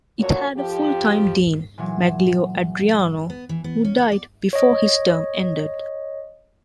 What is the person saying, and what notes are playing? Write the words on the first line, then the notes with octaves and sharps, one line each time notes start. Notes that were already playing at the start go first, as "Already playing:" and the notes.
It had a full-time dean, Magleo Adriano who died before his term ended.
D2 A#2 D3 F#4 C#5
F2 F3 G4
A#2 E3 F#3 G#3
B3
E3
B3
C#4
F#5
D5
C#5 D#5